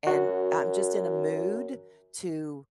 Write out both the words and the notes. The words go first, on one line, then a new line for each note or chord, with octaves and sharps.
and I'm just in a mood to
F#2 F#4